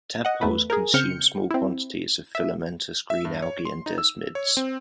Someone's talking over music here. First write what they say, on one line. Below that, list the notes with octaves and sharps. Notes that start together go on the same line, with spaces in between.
Tadpoles consume small quantities of filamentous green algae and desmids.
D#5 F#5
E2 A3 B4
G#4 A#4
C#3 C4 F6 G6 C#7
C4 E4
E5
E5
G2
C#5
C6
D#4
E6
C#5
C4